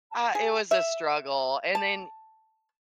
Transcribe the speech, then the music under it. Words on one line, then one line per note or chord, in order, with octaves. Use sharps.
uh, it was a struggle, and then,
G#4
E5
A5